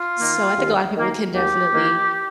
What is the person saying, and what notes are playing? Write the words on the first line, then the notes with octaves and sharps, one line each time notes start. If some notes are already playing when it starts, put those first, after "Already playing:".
So I think a lotta people can definitely
Already playing: F4
D#3 A#3
D#2
D#3 A#3
D#2 G4
D#3 A#3